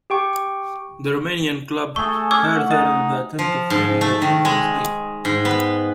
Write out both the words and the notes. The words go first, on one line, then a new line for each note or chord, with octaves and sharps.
The Romanian club hired her in the attempt of winning the Champions League.
G4 G5 C#6
A3 G#4 A4 C#6
C#4 D6 E6 G#6
F#5
D#4 D#5
F3
G#2
A3
D#3
G#3
G#2
B3